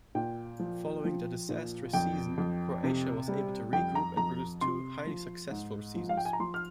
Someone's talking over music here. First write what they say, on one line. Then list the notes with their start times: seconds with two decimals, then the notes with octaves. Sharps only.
Following their disastrous season Croatia was able regroup and produce two highly successful seasons.
0.15 A#2 G5
0.60 F3
1.05 F3
1.49 A#2
1.93 F2 G5
2.38 F2
2.83 C3
3.28 G3
3.73 F2 G5
3.95 A#5
4.17 F2 A#5
4.61 C3 C6
5.07 F3
5.51 G#2
5.96 F3
6.09 F5
6.17 G5
6.25 G#5
6.33 A#5
6.40 F3 C6
6.54 F6